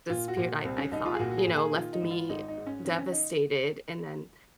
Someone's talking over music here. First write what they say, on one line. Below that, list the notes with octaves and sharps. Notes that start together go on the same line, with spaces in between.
disappeared I I thought, you know, left me devastated and then
A#2 F4
F#4
A#2
C2 C4
C#4
C2 D#4
F4
G#4
A#2 F#4
F#4
G#4
A#2
G#4
D#3 F4
D#4
G#1
F4
G#1 D#4
D#4
G#2
C#4
D#3 C4
C#4
D#4